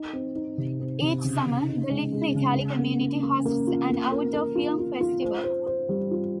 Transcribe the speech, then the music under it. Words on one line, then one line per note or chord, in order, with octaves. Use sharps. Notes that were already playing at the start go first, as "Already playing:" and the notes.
Each summer, the Little Italy community hosts an outdoor film festival.
Already playing: D#4
C4
D#4
C3
C4
C3
C#3
C#3
D#4
G#3
G#3
C#3
C#4
A#3
A#3
A#3
A#3
F4
A#3
A#4
A#4
F4
F4
F4
C5
C5
C5
G3
F4